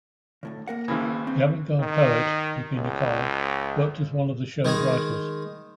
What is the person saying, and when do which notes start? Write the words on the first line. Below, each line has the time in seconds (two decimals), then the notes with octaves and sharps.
The avant-garde poet bpNichol worked as one of the show's writers.
0.43 D2 A2 C#3
0.68 A#3 A#4 F#5
0.88 G#1 C#3 E3
1.27 C4
1.80 D#3
2.74 C#2
4.65 D#3 G#3 G#4